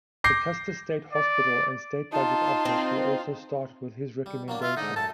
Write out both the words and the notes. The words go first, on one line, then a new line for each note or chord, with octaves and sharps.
The Custer State Hospital and state budget office were also started with his recommendation.
D6 G6 A#6 C7
D5
D#4 F4 A5
C4
G3
F#3 A#3 D4
F4 E5
G#2 D3 D#4
F#2 A4 A5